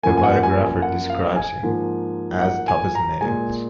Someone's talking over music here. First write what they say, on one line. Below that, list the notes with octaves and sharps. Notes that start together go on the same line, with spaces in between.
A biographer describes him as tough as nails.
F#2 F3 A#3 G#5
G#5
F#5
G#5
G#5
F#5
F5
G#5
G#2 F3 A#3
F#5
G#5
A#5
A#2 G#3 G#5